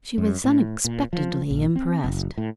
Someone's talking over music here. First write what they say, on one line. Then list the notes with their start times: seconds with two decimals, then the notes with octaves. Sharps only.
She was unexpectedly impressed.
0.18 F#2
0.44 A2
0.85 A#2
1.13 F3
1.50 A#1
1.76 C4
2.04 F#1
2.38 A2